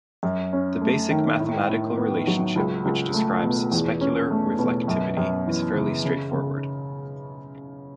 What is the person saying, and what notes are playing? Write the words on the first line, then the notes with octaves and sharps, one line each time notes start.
The basic mathematical relationship which describes specular reflectivity is fairly straightforward.
F#2
C#4
A3
D#3
A2
A2
B3
F#3
C#2
C#2
A3
B2
E2
C#4
A3
B2
F#2
F#2
E3
C#3
C#3
C#3